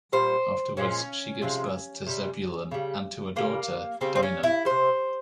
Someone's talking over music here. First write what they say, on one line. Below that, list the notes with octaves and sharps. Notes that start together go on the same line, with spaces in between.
Afterwards she gives birth to Zebulun and to a daughter, Dinah.
A#2 G3 C5
A#2 F3 G#3 C#4
C3 F3 G#3
C3 G3
C#3 G3
C#3 G3 A#3
C#3 G3 C4
C4
C#4
E4
C3 G3 C5